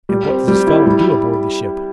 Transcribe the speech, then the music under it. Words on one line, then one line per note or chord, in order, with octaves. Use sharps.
"And what does this fellow do aboard the ship?"
G3
C4
G3
E4
G3